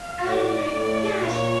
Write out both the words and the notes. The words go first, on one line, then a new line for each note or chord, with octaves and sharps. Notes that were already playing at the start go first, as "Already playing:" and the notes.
Oh my gosh.
Already playing: F5
A2 D5
A2
A#2 C#5